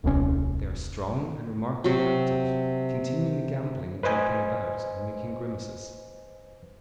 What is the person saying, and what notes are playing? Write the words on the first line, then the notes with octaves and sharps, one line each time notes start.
They are strong and remarkably active, continually gambolling and jumping about, and making grimaces.
D#1 C2 D3 C#4
C3 F#3
B4 C5 D#5 G#5